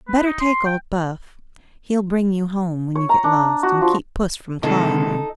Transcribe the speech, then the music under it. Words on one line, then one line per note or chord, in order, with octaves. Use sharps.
Better take old Buff; he'll bring you home when you get lost, and keep puss from clawing you.
B4
D#4
C6
G5
C#5
A#5
D4
F#4
F3
C3 D#3 G#3 D#4 A4